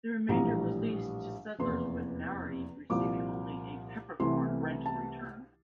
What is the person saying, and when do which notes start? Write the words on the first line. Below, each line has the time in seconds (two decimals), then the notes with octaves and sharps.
The remainder was leased to settlers with Maori receiving only a "peppercorn" rental return.
0.29 A#1 A2 E3 G3 A#5
1.59 F1 E2 E3 A#3 C6
2.90 C2 A#2 F3 D6
4.19 C2 C3 E3 A3 C6
4.86 A5